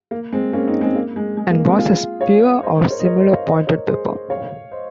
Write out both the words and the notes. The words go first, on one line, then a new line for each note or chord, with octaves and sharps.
An was a spear or similar pointed weapon.
A#3
G#3 C4
A#3 C#4
C4 D#4
G#3 C4
A#3
G#3
G#3
A#3
G#3 C4
F4 G#4
C#5 F5
C5 D#5
C5
A#4 C#5
D#5
A#4 C#5
C5 D#5
C#5 F5
C5 D#5
A#4 C#5
G#4 C5
C#5 F5
C5 D#5